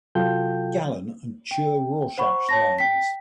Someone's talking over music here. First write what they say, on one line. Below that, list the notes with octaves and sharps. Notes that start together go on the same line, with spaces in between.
Gallen and Chur–Rorschach lines.
C3 F#3 F4 A4 G5 G6
G5
C5 F#5 B5 C#6
C#5 A5 A#6
G5 B6